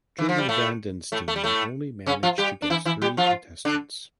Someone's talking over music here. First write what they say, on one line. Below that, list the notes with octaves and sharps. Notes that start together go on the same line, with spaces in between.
Julie Van den Steen only managed to guess three contestants.
E3
F3
G3
A2 A3
A2 A3
A3
G3
A2 A3
C#3 C#4
F3 F4
G3 G4
D4
E3 E4
E3 E4
G3 G4
F3 F4
D3 D4